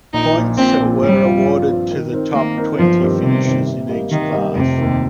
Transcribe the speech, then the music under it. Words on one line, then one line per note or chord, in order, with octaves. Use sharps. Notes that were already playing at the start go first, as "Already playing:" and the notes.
Points were awarded to the top twenty finishers in each class.
A#1 D#4
A#2 F3
A#1 C4
A#2 F3
G2 G3
F3 C4 F4
G2
F3 C4 F4
D#3
C4 D#4 A#4
D#3 A#3
C4 D#4 A#4
G1 F3
G2 D#3 C4 G4
G1 C3
G2 D#3 C4 G4
C3
G3 A#3 G4 D#5
C3 D#3
G3 A#3 G4 D#5
F1 C3
D#2 D#3